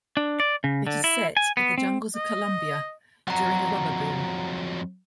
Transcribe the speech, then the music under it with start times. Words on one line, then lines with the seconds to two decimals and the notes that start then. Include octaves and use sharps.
It is set in the jungles of Colombia during the Rubber boom.
0.17 D4
0.40 D5
0.64 C#3
0.87 D3
1.04 E4
1.37 G#5
1.57 B3
1.78 C4
2.15 D#5
3.28 F2 F#3 F#5 A#5